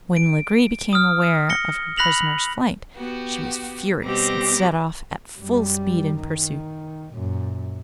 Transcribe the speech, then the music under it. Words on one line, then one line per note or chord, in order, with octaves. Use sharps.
When Lagree became aware of her prisoner's flight she was furious, and set off at full speed in pursuit.
D7
D#6 F6
A#6 C#7 G7
B5 F#6 A#6 B6 F7 F#7
B3 F#4 G4
B2 G3 C4 G4 D6 A#6
F#2 G3
D#3
F#2 A#2